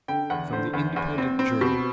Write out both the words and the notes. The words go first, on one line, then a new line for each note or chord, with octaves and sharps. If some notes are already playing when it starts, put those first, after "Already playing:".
From The Independent Journal.
D3 G5
E2 F#5
D3 C5
E2
E2
C4
C4
B2